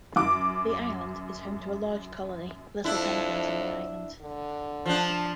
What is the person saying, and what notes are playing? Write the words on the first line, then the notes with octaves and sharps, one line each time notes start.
The island is home to a large colony of little penguins on the island.
F#2 D6
F2 D4 E4
D3
F3 D4